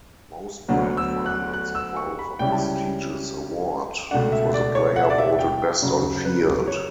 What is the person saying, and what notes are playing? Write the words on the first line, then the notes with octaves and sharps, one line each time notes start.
Most grand finals involve a prestigious award for the player voted best on field.
D2 D3 F#3 B3
E6
F#6
F#6
E6
C#6
B5
C#2 C#3 G3 C#4 E4 G5
A5
G5
C#2 B2 A3 D4 F#5
E5
D5
C#5
F#5
E5
D5
E5
G5
F#2 C#3 F#3
B4
C#5